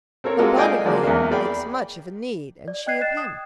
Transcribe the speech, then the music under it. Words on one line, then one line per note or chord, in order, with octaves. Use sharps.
Mabonagrain makes much of Enide, and she of him.
C4 A4 A#4 C#5
G#3 A#3 F4 F#4 A4
D5 D#5 F5 G5 G#5
F3 F#3 G#3 A#3 D5
E2 A#3
G#4 D5 G5 B5
D5
D#5 G5 F#6 G#6 C7
D#5 G5 F#6 A6 E7
D#6